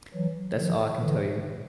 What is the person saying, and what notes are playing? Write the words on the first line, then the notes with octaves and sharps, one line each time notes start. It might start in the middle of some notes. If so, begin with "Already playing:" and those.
That's all I can tell you.
E3 F#3
D#3 F3
D3 E3